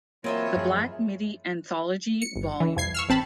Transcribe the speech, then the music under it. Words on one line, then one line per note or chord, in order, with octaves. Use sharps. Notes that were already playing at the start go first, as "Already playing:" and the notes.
The Black Midi Anthology Vol.
E3 F#3 A#3 C4 F4 C#5 D#5 E5
F#2 F3 G#4
C#7
G1
E3
C2 F2 G#6 C7
C#6 E6 F6
A1 C4 A5 B5